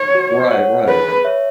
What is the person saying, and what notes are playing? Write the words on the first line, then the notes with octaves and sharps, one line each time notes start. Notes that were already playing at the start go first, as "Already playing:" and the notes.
Right, right.
Already playing: C#5
F#4
C#5 F#5
G#4 B4
C#5 E5